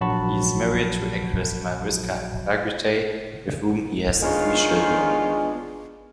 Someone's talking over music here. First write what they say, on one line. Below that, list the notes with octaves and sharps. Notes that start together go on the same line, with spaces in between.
He is married to actress Mariska Hargitay, with whom he has three children.
A#1 F#3 F#4 A5 B5 C#6
D#3 G#3 B3 C#4 D4 F4